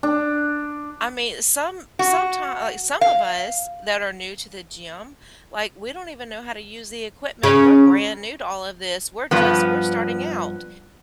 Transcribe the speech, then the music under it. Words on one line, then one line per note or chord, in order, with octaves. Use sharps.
I mean, some sometime like, some of us, that are new to the gym, like, we don't even know how to use the equipment. We're brand new to all of this, we're just we're starting out,
D4
F#4
F5
C#3
G2 F3 B3